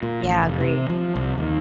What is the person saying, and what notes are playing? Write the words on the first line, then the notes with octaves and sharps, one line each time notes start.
Yeah, agree.
A#2
A1
F1
C3
F3
C2
D#2